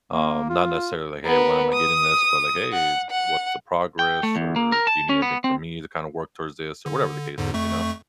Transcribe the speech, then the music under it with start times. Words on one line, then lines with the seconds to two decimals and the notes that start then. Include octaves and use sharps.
Um, not necessarily, "Hey, when am I getting this?" But, like, "Hey, what's the progress? Or do you need anything from me to kinda work towards this," or whatever the case is, you know?
0.12 A#3
0.49 F4
1.25 B3 A#4
1.73 D#6
2.73 F#5
3.11 F#5
3.99 G5
4.23 A3
4.36 E2
4.56 A#3
4.72 A#4
4.87 A5
5.09 C#4
5.22 B3
5.44 C4
6.86 D3
7.38 E2 G#2 D3
7.54 F2 A3 C#6